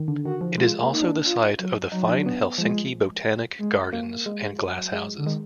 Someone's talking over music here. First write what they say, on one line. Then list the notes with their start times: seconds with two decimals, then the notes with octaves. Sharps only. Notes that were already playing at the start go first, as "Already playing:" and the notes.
It is also the site of the fine Helsinki Botanic Gardens and glasshouses.
Already playing: D#3
0.08 D3
0.25 D#3 F#4
0.41 F3
0.58 G#3 F4
0.80 A#3
0.92 D#4
1.02 D4
1.26 F4
1.59 F#3
1.92 F#3 D#4
2.03 F3
2.08 D4
2.13 F#3
2.26 B3
2.58 F3 G#3
3.59 G#3
3.93 A#3
4.26 G#3
4.59 F#3
4.93 G#3
5.17 D3
5.26 D#3 G#3